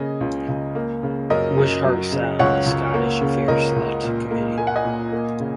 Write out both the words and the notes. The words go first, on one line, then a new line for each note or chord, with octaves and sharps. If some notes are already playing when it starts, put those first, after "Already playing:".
Wishart sat on the Scottish Affairs Select Committee.
Already playing: C#3 A#3 D#5 G#5
C#2
C#2
A#3
C#3
F#2 A#4 D#5
F#2
F#3
C#3
C#2 C#5 F#5
C#2
A#3
C#3
C#2 A#4 D#5
C#2
A#2
A#3
A#3 G#5
F#5
D#5 G#5
A#2
A#3
C#3